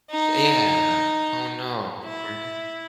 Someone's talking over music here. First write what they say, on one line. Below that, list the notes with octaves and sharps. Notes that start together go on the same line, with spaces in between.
Yeah. Oh, no, really?
D#4
E4